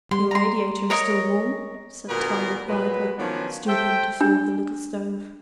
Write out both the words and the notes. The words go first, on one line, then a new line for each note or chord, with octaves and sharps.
"Your radiator is still warm," said Tarling quietly, stooping to feel the little stove.
G3 C6
A#5 C6
A#4 C#5 D#5
A#2 D3 B3 F#4 G#4 A#4
A#2 F#3 G#3 B4
D#3 F3 F#3 B3 C#4 D4
A4 C5 E5 G5
D4